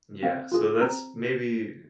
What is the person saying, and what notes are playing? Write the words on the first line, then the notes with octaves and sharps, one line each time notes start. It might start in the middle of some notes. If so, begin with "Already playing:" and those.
yeah, so that's maybe
C4 F5
F4 G#4
C4 A#5